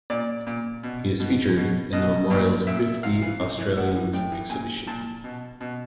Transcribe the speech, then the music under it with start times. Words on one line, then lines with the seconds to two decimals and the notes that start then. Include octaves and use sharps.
He is featured in the Memorial's Fifty Australians exhibition.
0.10 A#2 D5
0.47 A#2
0.83 B2
1.20 B2
1.57 B2
1.93 B2 D#5
2.30 A#2
2.67 A#2 E5
3.03 C3 F5
3.22 E3
3.40 C3
3.59 E3
3.76 A2 F#5
3.95 E3
4.13 A2 G5
4.32 E3
4.50 A#2 G#5
4.87 A#2 A5
5.24 B2
5.61 B2